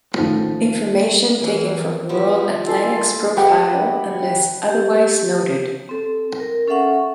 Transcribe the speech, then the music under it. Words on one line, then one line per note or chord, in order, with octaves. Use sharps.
Information taken from World Athletics profile unless otherwise noted.
A1 D#3 F3 A3
F#2 E3 A#3
F3 G3 B3 E4 G4
A4 G#5 C6
G4 B4 F#5
G4
C4 A4
A#4
C#4 A4 E5 F#5 C#6